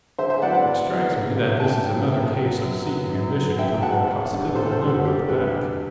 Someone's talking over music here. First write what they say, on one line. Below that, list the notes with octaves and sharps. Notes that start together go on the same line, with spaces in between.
'It strikes me that this is another case of seeking admission through that hospitable window at the back.'
D3 C5 E5
C5 E5
F#3 B3 E4 D5 F#5
D5 F#5
D3
F#3 B3 E4
D3
F#3 B3 E4
A5
D3 E5 G5
F#3 B3 E4
F#2 E5 G5
F#3 B3
F#2
F#3 B3
F#2
F#3 B3
F#2 E5 G5
F#3 B3 F#5 A5
E2
D3 G3 D4
E2 A4 C5
A4 C5
D3 G3 D4
F#4 A4
E2 G4
D3 G3 D4 G4 B4
E2